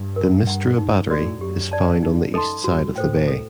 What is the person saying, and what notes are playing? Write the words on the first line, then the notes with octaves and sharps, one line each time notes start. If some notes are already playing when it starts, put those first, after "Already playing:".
The Mistra Battery is found on the east side of the bay.
Already playing: G2
A#4
F#5 A#5
G2 D#4
A2 F#4 A4 D5
F#2 G4
D5 A5
F#2 D#4
A4 D#5 A5 C6
G2 F#4
A2 A4 C5 G5
A4